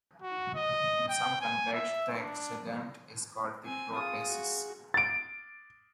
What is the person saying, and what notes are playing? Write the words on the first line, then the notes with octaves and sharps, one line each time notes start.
In some contexts the antecedent is called the protasis.
F#4
D#5
G5
G#5
E5
D4
C4 G#5
F4 G#4 D#6
F#4
A6 D7